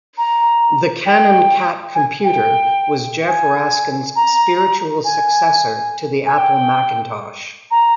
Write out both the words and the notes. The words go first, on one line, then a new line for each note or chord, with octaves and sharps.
The Canon Cat computer was Jef Raskin's spiritual successor to the Apple Macintosh.
A#5
G5
G#5
G5
G#5
A#5
G#5
G#5
G5
A#5